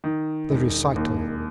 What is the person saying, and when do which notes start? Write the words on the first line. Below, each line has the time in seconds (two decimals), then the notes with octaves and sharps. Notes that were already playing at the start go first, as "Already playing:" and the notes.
The Recital.
0.04 D#3
0.50 E1
0.96 D#2